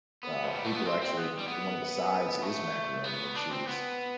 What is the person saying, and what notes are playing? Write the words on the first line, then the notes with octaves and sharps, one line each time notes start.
Uh, people actually one of the sides is macaroni and cheese.
B3
F3
G3
A3
B3
C4
C4
B3
G3
B3
A3
B3
D4
C4
B3